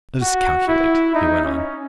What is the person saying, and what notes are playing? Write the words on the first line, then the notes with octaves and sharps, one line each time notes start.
"Let us calculate," he went on.
F#4
E4
D#4
C#4